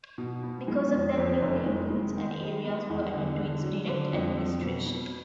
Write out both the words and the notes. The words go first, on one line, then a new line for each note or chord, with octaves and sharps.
Because of that new neighborhoods and areas were added to its direct administration.
B2
B3
G#3
F2
F2
F1
G#3
G#3
D#3
G3
B3
E2
D3
D3
F#3
D3
F2
F2
B2
B3